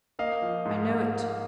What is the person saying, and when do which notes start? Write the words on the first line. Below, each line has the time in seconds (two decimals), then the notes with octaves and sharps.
I know it.
0.19 A#3 D#5 F5
0.42 F3
0.65 G#2
0.89 G#2
1.12 A#3